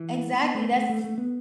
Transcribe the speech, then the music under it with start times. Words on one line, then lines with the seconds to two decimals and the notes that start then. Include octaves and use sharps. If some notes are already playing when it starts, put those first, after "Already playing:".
Exactly, that's
Already playing: E3
0.34 B3
0.55 A3
0.71 B3
0.76 A3
0.89 A3
1.04 A3
1.18 B3